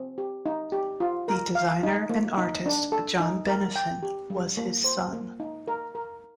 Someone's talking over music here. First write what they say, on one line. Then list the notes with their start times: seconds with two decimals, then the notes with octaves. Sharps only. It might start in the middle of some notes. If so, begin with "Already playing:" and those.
The designer and artist John Benison was his son.
Already playing: C4
0.18 G4
0.46 D#4
0.72 G4
1.00 F4
1.28 A#4
1.55 F5
1.83 D#4
2.10 A#3
2.38 D#4
2.66 D4
2.92 A4
3.20 D#4
3.48 A#4
3.76 G5
4.03 G4
4.30 G3
4.57 A#3
4.84 C5
5.13 A#3
5.40 D#4
5.68 A#4
5.95 A#4